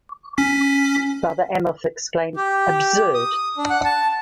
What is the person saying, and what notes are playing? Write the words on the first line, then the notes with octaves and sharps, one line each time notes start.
Father Amorth exclaimed, Absurd!
C#4 B6
G4
D#6
D4
F#5
A5